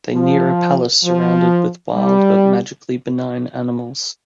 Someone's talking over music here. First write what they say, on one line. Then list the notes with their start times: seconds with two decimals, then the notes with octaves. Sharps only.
They near a palace surrounded with wild but magically benign animals.
0.14 F3
1.04 F3
1.94 G3